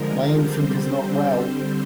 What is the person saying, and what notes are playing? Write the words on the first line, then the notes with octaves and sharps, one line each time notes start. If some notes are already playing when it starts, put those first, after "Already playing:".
My infant is not well.
Already playing: D3 F3 G#3 A#4
D3 G3 C4 C5